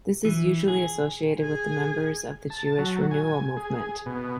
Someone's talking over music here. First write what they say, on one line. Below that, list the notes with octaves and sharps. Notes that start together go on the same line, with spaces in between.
This is usually associated with the members of the Jewish Renewal movement.
E3
G#4
G#4 G#5
A5
F#3
G#5
G#4
B2